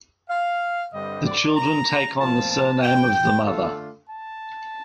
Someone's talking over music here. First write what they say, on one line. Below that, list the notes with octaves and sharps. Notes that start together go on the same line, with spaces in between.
The children take on the surname of the mother.
F5
G2 D3 G3 C4 D#5
D5
A#5
A#2 F3 C4 F4 A5
A5
G5
D3 A3 D4 F4 A4
A5